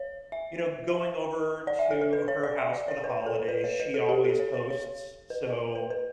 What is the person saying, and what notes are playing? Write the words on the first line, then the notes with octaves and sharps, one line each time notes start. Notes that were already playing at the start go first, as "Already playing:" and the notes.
you know, going over to her house for the holidays, she always hosts, so
Already playing: C#5
E5
D5
E5
A4
A4
B4
C#5
D5
E5
D5
C#5
B4
A4
B4
C#5
B4
A4
G4
A4
C#5
C#5
C#5
C#5
B4
B4
B4